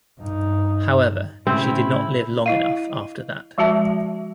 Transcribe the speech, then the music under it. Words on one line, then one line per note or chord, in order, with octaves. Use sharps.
However, she did not live long enough after that.
G2 D#4
A2 C#3 C4 C#4 E4
E4 D#5 F5
F3 G#3 F#4 E5 A5